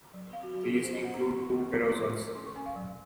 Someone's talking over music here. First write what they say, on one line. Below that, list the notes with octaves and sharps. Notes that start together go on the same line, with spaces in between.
These include two carousels.
F#3
C4 F5
F#4
F#3 F#4
G#4
F3 A#4
C5
C#4 D#5
F#5
A#3 A#5
C6
C#4 C#6
C#6
F3
C4
F3 C6
C4
C#4 C6
C#6
C#4 G#5
F5
F#3